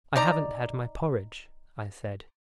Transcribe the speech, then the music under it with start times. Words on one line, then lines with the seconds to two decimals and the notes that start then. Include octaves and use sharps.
"I haven't had my porridge," I said.
0.16 D#4 D5 A#5